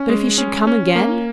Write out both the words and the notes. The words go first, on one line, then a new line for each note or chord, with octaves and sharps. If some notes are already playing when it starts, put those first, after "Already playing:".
"But if he should come again?"
Already playing: C#4
G#3
C#4
C#4
A#3